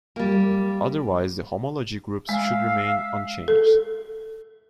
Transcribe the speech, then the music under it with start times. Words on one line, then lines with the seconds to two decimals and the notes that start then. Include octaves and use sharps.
Otherwise the homology groups should remain unchanged.
0.16 G3 A#3
2.29 G#3 E5 F5
3.48 A4